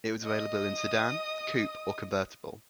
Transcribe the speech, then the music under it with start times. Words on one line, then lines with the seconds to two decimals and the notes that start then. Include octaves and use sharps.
It was available in sedan, coupe or convertible.
0.23 D#5 D#6